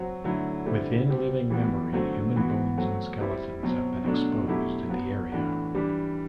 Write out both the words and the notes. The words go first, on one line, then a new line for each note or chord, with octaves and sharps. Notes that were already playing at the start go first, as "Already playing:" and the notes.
Within living memory human bones and skeletons have been exposed in the area.
Already playing: F#3 C4 F#4
D3 F#3 A3 E4
D3 G3 C4 E4 G4
G3 C4 G4
E3 G3 B3 F#4
D3 F#3 A3 C4 F#4
E3 B3 F#4
F#3 A3 C4 F#4
G3 C4 E4 G4
B2 F#3 C4
B2 F#3 A3 D4
B2 F#3 A3 E4 G4
F#3 B3 F#4
A2 E3 A3 D4 F#4
E3 G3 D4 G4